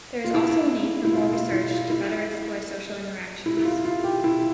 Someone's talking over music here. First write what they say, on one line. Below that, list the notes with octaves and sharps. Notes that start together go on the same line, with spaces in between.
There is also a need for more research to better explore social interactions.
F4
E4
E4
F4
F4
E4
F4
E4
E4
E4
F4
F4
G4
E4